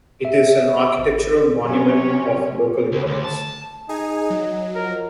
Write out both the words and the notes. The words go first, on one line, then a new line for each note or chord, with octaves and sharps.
It is an architectural monument of local importance.
E5
G#1
C3 F#3 C#4
C#2
D2
A5
D#4 G#4 D#5 G#5
F#3
F3 A#4 D#5